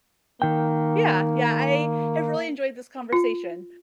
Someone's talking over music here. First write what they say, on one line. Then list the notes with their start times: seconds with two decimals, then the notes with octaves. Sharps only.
Yeah, yeah. I have really enjoyed this conversation.
0.42 D#3 A#3 G5
3.13 F4